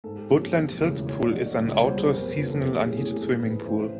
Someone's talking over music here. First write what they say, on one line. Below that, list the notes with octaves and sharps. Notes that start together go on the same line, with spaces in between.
Woodland Hills Pool is an outdoor seasonal unheated swimming pool.
G#2 A4
G4
F3 A#3 C#4 G4
G4
E1
D2 C#3 E3
D#2 C#5
D5
D3 F#3 A3 D#5
D5
C#2 D5
C#5
B2 G3 C4 C5
G#4
F1 A#4
B4
E2 C#3 F3 A#3
A4
B1 G4
G#4
A2 E3 A3 C#4
G#4
G#1 A4
G#2 E3 G#3 C4 B4
A1 C5